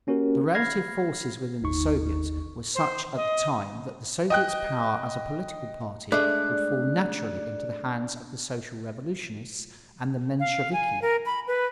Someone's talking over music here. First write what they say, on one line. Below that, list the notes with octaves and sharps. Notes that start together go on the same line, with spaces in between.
The relative forces within the Soviets were such at the time that the Soviet's power as a political party would fall naturally into the hands of the Social-Revolutionists and the Mensheviki.
A#3 C#4 F#4 G4 A#4
B5 F6 G#6 A#6 C7
G1 D#2 D#4 C#6
C5
D#5
D#5 G5 F#6
G#3 A3 D4 D5 F#6
F5
G#5
A#4
B5
B4